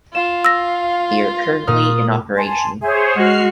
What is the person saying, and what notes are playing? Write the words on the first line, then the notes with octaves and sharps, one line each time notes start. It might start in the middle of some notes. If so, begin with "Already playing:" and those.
They are currently in operation.
F4 F5 E7
E6 A#6
A#2 D#6 F6
G#5 A5 C6
G#4 C5 C#5 E5 G#5 C6
G#3 F#4 D#5 F6 C7